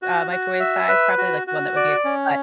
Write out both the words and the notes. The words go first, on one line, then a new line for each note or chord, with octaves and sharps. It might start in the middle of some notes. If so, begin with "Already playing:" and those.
uh, microwave size, probably, like, the one that would be a cut
F#4
F#4
E5
B4
F#4
F#4
D5
C#4